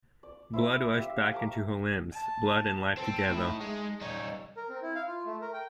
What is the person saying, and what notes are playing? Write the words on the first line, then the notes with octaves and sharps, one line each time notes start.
Blood rushed back into her limbs, blood and life together.
D5
E4 C5 E5
G4 E5 F5
F5 A5 A#5 D6
A5
C4 A4
A2 D#4 E4
G#3
G3 D#4 C#5
A#4
C4
E4
F5
F4
A3
A#4
G5